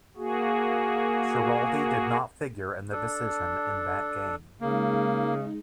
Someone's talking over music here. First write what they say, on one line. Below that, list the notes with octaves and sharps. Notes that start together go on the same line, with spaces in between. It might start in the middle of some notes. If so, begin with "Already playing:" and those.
Schiraldi did not figure in the decision in that game.
A#3 F#4 G#4
D4 A4
C#3 G#3 A#3 D#4